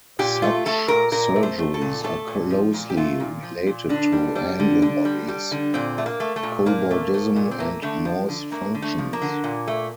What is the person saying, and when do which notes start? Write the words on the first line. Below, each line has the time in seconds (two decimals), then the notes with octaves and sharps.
Such surgeries are closely related to handlebodies, cobordism and Morse functions.
0.19 A#2 G4
0.42 A3 F4
0.66 A3 A4
0.88 A#2 A#4
1.12 A#2 A#4
1.36 A3
1.43 C5
1.58 A3
1.74 A4
1.81 A#2
2.04 A3 A4
2.28 A#2
2.50 F3
2.74 A#2
2.90 G4
2.97 A3 F4
3.20 A#2
3.43 F3
3.67 A#2
3.89 D3 D4
4.12 G3
4.35 G3
4.59 D3
4.82 D3
5.05 G3
5.28 G3
5.52 D3
5.74 A#2 C4
5.98 A3
6.06 A#3
6.20 A3
6.36 A3
6.43 A#2
6.66 A#2 A#3
6.91 A3
7.14 A3
7.36 A#2
7.51 C4
7.59 A3 A#3
7.82 D3 A3
8.05 F3
8.29 D3
8.52 A3 A#3
8.75 D3
8.82 A3
8.98 F3
9.13 A#3
9.22 D3
9.44 A#2
9.67 A3